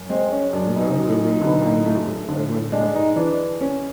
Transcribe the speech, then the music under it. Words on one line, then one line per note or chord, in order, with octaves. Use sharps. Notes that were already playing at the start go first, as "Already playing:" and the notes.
The Nuns original manager was Edwin Heaven.
Already playing: F#2
G#3 C4
C#4
F#2 D4
D#4
F#3
D3
A3
D3
G#3 D4
D#4
E3 D4
C#4